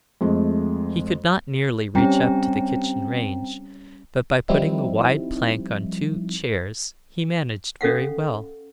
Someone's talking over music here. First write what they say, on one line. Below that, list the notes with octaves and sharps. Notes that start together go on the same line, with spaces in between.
He could not nearly reach up to the kitchen range, but by putting a wide plank on two chairs he managed very well.
F2 G#3 A3
G3 C4 C#4 G5 A#5
F3 G3 C4 D#4 E4
C#4 A4 F5 F#5